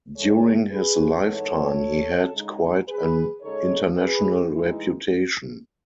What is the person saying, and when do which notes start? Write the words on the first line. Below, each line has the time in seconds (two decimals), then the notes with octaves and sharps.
During his lifetime he had quite an international reputation.
0.16 E2 C#3 E3 G#3 A4 C#5
0.70 G#4 B4
1.24 G#2 E3 B3 D#4 A4 C#5
2.33 C#3 G#3 D#4
2.87 G#4 B4
3.42 C#3 G#3 D#4 A4 C#5
3.97 G#4 B4
4.50 A2 E3 G#3 D#4 E4